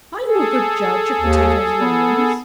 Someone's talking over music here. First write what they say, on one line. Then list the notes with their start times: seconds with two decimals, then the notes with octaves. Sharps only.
Are you a good judge of potatoes and onions?
0.21 G#4 A4
1.21 D#2
1.81 B3